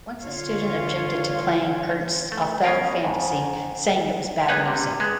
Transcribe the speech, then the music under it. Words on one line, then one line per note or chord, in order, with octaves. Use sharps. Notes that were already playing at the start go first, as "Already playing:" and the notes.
Once a student objected to playing Ernst's "Othello Fantasy", saying it was bad music.
D3 F4 C#5 F5
A3
B2 C#4 F4 A#4
F2 G#2
G#3 A#3 B3 D#4 B4 C#5
C3 G3
G#3 B3